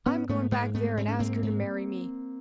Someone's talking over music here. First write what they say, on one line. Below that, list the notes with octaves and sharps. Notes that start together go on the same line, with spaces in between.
I'm going back there and ask her to marry me.
G#2 B3 C#4
G#2 A3 B3
G#2 G#3 A#3
G#2 A3 B3
G#2 C4
C#4
G#2 A#3 C4
G#2